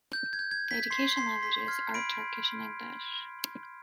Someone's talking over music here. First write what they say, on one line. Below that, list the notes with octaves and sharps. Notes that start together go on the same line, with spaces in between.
The education languages are Turkish and English.
G6
G#6
G6
G#6
G6
B6
C6 C7
C6 C7
C6 B6
F6 G#6
B5 D7